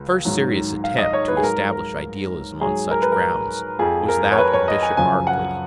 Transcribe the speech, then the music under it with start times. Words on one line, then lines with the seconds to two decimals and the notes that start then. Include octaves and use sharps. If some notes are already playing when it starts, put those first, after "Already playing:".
The first serious attempt to establish idealism on such grounds was that of Bishop Berkeley.
Already playing: C#2
0.25 G#2 D#3 F#3
0.84 F5
0.98 D#5
1.13 C#5
1.28 B4
1.37 G#4
1.43 G#2 F#3 A#4
1.72 A#4
2.61 G#2 F#3 G#4
2.91 A#4
3.02 B4
3.12 A#4
3.79 F2 F3 G#4
4.09 A#4
4.32 C#5
4.38 B4
4.53 C#5
4.68 D#5
4.83 G#5
4.97 F#2 C#3 F3 G#5
5.27 F#5